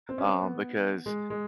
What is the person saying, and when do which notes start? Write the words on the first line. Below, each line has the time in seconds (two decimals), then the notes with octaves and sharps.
Um, because,
0.09 C4
0.18 C#4
0.24 C4
0.41 B3
1.06 G#3
1.30 G#3